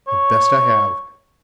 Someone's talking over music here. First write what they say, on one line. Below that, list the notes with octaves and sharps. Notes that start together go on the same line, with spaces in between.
"The best I have."
C#5